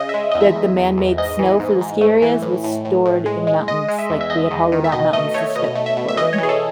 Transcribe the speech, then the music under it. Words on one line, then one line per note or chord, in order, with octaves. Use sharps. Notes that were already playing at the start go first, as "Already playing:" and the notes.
that the man-made snow for the ski areas was stored in mountains. Like, we had hollowed out mountains to st pour it in.
Already playing: C#3 D#5
G#3 E5
E2 D#5
E5
E2
E2
E2
G#2 D#5
E3
G#2
G#2
A3
E3
A2
A2
A2
A2
G#3
G#3
G#3 D#5
G#3
E5
E2
E5
E2 D#5
E2
D#3
E5
B2 D#5
A3 D#5
A3 C#5
B2 D#5
A3
E5
B2
E5
E3 D#5
C#5
E3
G#4
A4